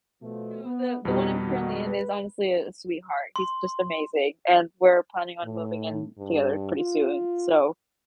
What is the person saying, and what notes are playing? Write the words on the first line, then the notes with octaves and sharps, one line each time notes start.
No, the the one I'm currently in is honestly a a sweetheart. He's just amazing, and we're planning on moving in together pretty soon, so,
B2 F3 A3
B3
A#1 F2 B2 G3 D#4 G4
D#3 F#4
B4
C6
A2
G2
F4